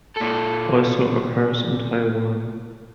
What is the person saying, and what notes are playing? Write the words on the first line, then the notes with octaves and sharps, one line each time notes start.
Also occurs in Taiwan.
A#2 A4